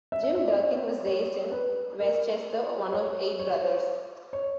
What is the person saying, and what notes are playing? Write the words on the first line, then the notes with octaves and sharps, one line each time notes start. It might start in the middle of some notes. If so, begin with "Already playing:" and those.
Jim Durkin was raised in Westchester, one of eight brothers.
E5
E5
E5
D5
C#5
C#5
B4
A#4
C#5
C#5
C#5